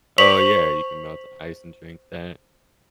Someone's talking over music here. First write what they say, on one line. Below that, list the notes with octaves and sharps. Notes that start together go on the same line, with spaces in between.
Oh, yeah, you can melt the ice and drink that.
C5 C#6 B6 F7 F#7